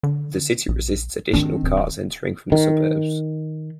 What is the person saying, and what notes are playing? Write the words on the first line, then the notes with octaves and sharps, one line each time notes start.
The city resists additional cars entering from the suburbs.
D3
A#1
D#3 C4 D4
D1
D#3